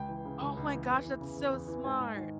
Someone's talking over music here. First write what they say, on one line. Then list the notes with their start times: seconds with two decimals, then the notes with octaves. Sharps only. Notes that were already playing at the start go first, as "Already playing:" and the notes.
Oh my gosh. That's so smart.
Already playing: C#2 G5
0.09 E3
0.25 C#3
0.41 C#2
0.57 C#2
0.73 E3
0.89 E2
1.04 E3
1.21 C#3
1.36 E2
1.53 E2
1.68 E3
1.84 G#2 G#5
2.00 G#2
2.16 D#3